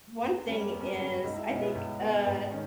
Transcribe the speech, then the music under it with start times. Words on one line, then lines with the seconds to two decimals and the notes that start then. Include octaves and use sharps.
one thing is I think, uh,
0.22 E2 B3
0.35 B3
0.47 C#3 G3 C#4
0.60 A#3
0.72 E2 B3
0.81 C#4
0.88 B3
0.98 C#3 G3 C#4
1.24 C#2 D#4
1.36 E4
1.49 B2 G#3 C#4
1.62 B3
1.75 C#2
2.00 B2 G#3 B3
2.25 G#2 B3
2.51 D#3 C#4